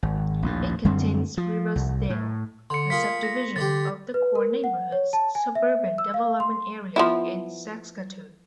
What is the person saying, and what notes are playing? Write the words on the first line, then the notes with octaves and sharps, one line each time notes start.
It contains Riversdale, a subdivision of the Core Neighbourhoods Suburban Development Area in Saskatoon.
G#1
A#1 D#2 A2
F#2 D3 G3 C4
F3
C2
A2
D3 C6 C#7
A#3 F4 G#4 B6
A#6
D3 D4 G4 A6
B4
A#4
F#5
C#5
A5
G#5
E5
E6
F5
C6
F3 B3 E4